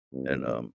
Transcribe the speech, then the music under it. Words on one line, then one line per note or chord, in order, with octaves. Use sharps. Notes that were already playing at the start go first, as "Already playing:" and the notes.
and, um,
C2